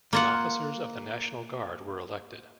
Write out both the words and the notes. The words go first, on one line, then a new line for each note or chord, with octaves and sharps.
The officers of the National Guard were elected.
A#3 F4 F#5